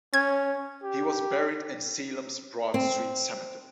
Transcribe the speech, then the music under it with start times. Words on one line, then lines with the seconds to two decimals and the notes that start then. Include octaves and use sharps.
He was buried in Salem's Broad Street Cemetery.
0.14 C#4 G#6
0.83 G4
2.74 C4